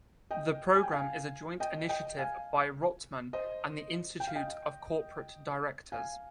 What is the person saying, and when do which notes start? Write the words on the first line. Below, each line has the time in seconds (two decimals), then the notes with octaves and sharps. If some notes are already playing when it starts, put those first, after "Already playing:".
The program is a joint initiative by Rotman and the Institute of Corporate Directors.
0.31 D#5 G5
0.75 G#5
0.83 G5
0.92 F5 G#5
1.60 D#5 G5
1.89 D#5 G5
2.18 F5 G#5
3.33 C5 D#5
4.20 G5
4.28 F5
4.35 D#5 G5
5.92 F5 G#5